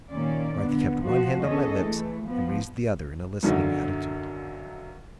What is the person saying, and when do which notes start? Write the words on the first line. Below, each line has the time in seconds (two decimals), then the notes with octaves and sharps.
Martha kept one hand on my lips, and raised the other in a listening attitude.
0.10 A#2 D#3 C#4 D5
0.56 D3 B3
0.97 F3 F#4
1.41 E2 C#4 G#4 A4 D#5
1.77 E3 A3
2.23 F3 B3
3.43 B1 F#2 D3 F#3